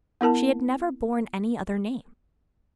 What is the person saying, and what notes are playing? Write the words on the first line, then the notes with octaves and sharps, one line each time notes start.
She had never borne any other name.
B3 E4 A#4 A5